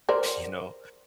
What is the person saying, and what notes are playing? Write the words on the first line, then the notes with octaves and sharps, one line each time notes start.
you know?
A#4 C5 D5